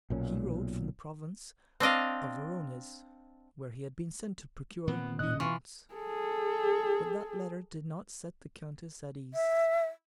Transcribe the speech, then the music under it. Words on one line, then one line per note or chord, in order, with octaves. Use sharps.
He wrote from the province of Voronezh where he had been sent to procure remounts, but that letter did not set the countess at ease.
B1 A#2 C#4
C4 D4 D#5 F5
A#2 D#3 B3 C4
D#1 A#2 C#4 D#5 F#6
E3 F4 C#6
G#4 A4
E5